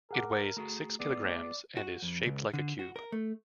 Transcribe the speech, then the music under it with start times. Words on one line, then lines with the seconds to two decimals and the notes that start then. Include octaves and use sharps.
It weighs six kilograms and is shaped like a cube.
0.11 G#4 A#4 F#5 D6
0.57 A3 F#4 G#4 A#5
1.00 B3 G#4 D5
1.77 F#4
2.02 F2
2.26 C#2
2.54 D3
2.79 F#4
2.96 A#4
3.12 A3